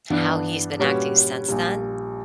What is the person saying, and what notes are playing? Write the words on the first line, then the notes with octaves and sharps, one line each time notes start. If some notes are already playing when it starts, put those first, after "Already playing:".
how he's been acting since then.
G2 E3 B3 D4
A#2 G3 C#4 F#4 B4
A#1 A#2 G3